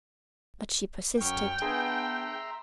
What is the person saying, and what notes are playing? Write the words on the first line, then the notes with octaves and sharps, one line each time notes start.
But she persisted.
F#2 G5 C#6 F6
B3 D4 G#4 E5 A#5 C6